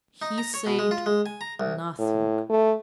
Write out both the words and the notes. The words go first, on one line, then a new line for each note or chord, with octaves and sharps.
He said nothing.
D#4
A#5
C#5
B2
G#3
F4
G#3
G#5
A#5
C2
A2
A3